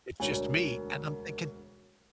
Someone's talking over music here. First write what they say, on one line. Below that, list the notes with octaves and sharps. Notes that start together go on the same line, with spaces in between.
It's just me," and I'm thinking,
E1 D2 F#4 A#4 C#5 G#5